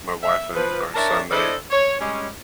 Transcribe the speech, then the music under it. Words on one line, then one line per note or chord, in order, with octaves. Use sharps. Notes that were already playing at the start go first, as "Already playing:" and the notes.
my wife and our son, they
E5
F3 B4
D4 A#4 C#5 E5 A5
D4 E4 A4 C5 D5 D#5
C#5
G3 G#3 C#4